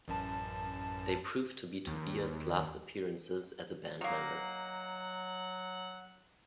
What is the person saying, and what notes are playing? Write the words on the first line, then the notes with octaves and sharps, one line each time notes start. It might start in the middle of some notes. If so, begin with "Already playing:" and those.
They proved to be Tobias' last appearances as a band member.
A1 F#2 A5
D#2
D#3 F#3 A#3 F#5